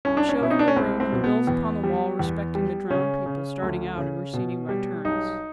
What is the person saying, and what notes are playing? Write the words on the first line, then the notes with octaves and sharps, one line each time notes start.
It showed him the room, and the bills upon the wall respecting the drowned people starting out and receding by turns.
C2 C#4
D4
C#4
B2 E4
D#4
D4
C#4
C2 C4
C4
B2
B3
E2
G3
E2
G3
C#3 C#4
C#3
D2
C#3
B2
G3
B1 D#4